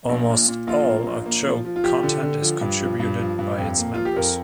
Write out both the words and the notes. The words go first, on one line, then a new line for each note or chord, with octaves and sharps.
Almost all of Chowk content is contributed by its members.
A#1
A#2
A#2
A#1 F4
A#3
A#1
A#3
F3
F3
F4
F3 G4
D3
D3
F3
G2
F3
G2
F3
G2
F2
A#3
F3 F4
G4
F2 A#4